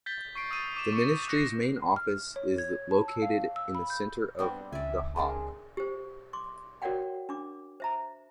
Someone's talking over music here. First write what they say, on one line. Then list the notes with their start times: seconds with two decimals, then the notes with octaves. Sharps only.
The ministry's main office is located in the centre of The Hague.
0.06 G6 A6 B6 G7
0.35 C#6 C7 D7
0.51 D#6 E6 A6 D#7
0.74 C#6 D6 E7
0.93 C#6 C#7
1.28 C#6 F#6 A#6 C#7
1.63 C7
1.96 F6
2.36 C#5
2.58 G#6
2.91 A5
3.08 E6
3.22 F5
3.56 E6
3.75 B5
3.90 G6
4.39 G3 B3 C4 D4
4.72 C#2 D5 E5 G#5
5.16 C3 G#3 D4 G#4 A#4
5.77 G4 C5
6.33 C6 D6
6.82 F#4 A#4 C#5 D5 F#5 G5
7.29 D4 D6
7.80 C5 E5 A#5